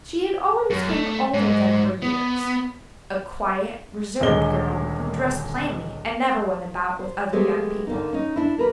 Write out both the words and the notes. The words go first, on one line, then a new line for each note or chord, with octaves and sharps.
She had always been older than her years--a quiet, reserved girl who dressed plainly and never went about with other young people.
F#2
A3
G#2
B3
D#1 D2 D3 G#3 G7
C5
G#3 A3 B3 G4
D3 A#3 D#4
C#4 D#4
D4 E4
A#3 A#4 B4